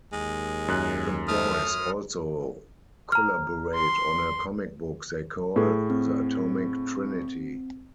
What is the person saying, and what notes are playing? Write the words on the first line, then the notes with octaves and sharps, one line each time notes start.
The boys also collaborate on a comic book they call "The Atomic Trinity".
D#2 G#3
F#2 F#6
A3 D#6 F6
A#5 F6
C6
A2 G#4
C4